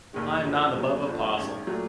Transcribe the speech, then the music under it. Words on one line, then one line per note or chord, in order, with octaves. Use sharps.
'I am not above a parcel.'
F1 D#2 D#3 G#3
F#1 F#2 C#3 F3
E1 D#2 C#3 F#3 B3
G1 G2 D3 F3
A1 G2 D#3 G#3 C#4
A#2 F#3 A3